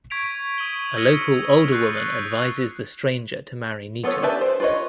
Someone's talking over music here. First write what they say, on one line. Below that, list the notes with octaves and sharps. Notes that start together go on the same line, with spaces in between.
A local older woman advises the stranger to marry Nita.
C#6 G#6 B6 D7 F7
D#6 D7 D#7 F#7 G7
E6 F6 A#6 C#7 D#7 F7
C#6 F#6 G6 A6 A#6 C7
B3 F4 A4 C#5
G4 B4 D5 E5 A5
C5
F4 A#4 B4 C#5 D#5